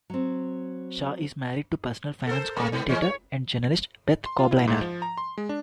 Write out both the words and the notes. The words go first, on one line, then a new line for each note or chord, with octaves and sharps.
Shaw is married to personal finance commentator and journalist Beth Kobliner.
F#3 C4
A4 A#4 C5
C3 A#3
G#2 B3
E3 G#3 C#4
C#5
C6
F4
E4
G#2
F3
A#5
C6
G#3
D4